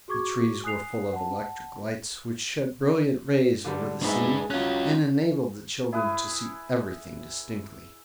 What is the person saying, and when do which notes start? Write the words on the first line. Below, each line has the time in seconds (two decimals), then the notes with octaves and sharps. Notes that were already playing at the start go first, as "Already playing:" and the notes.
The trees were full of electric lights, which shed brilliant rays over the scene and enabled the children to see everything distinctly.
0.08 F#4 G#4 C#6 D6 G#6
0.64 G#5 D#6 F#6 C7 F7
1.13 F#5 A5
3.65 D3 G3 D4
4.03 G#2 D4 D#4 G#4 B4 E5
4.50 F#3 C#4 F4 F#6
5.93 E4 G#4 B4